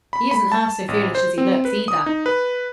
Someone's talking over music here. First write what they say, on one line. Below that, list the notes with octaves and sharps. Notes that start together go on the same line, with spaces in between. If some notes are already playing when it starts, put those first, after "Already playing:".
He isn't half so foolish as he looks, either.
B5
B5
A5
A1
C5
C4
B4
D#6
D#4
B4